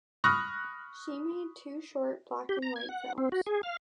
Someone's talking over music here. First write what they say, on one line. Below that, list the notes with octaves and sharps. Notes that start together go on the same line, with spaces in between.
She made two short black and white films.
B5 C#6 D#6 F6 F#6 A#6
G4
A#5
G#6
F#5
C4
F#4
G#4
F5